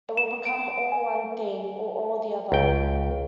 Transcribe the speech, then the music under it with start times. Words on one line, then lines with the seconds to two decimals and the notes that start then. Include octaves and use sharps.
It will become all one thing, or all the other.
0.17 E7
0.45 D7
0.92 G#5
2.52 C#2 G5